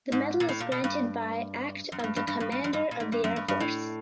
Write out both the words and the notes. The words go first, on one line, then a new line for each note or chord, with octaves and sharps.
The medal is granted by act of the Commander of the Air Force.
G#2
A#2
A2
A#2
B2
G2
F#2
G#2
G2
G2
G2
G2
G2
F#2
G2
A#2
G#2
G2
F#2
G2
G2
A2